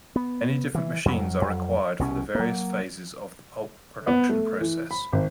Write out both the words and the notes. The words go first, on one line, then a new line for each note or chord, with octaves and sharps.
Many different machines are required for the various phases of the pulp production process.
B3
E3
F2 F#3
F2 F#3
C2 B2 C#4
F#3 A#3
B3
A3
E3
B5
G#1